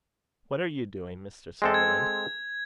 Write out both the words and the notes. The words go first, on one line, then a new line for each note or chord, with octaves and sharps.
"What are you doing, Mr. Sutherland?"
G#3 C4 A4
G#6